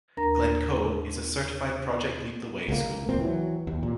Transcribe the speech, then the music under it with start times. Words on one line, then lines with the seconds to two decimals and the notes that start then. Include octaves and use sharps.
Glencoe is a certified Project Lead The Way school.
0.17 D#2 D4 A#4 A#5 A#6
2.68 C#2 F#3 A#3
3.09 D#2 A#2 C4
3.21 E3 F#3
3.67 D#2
3.83 A#2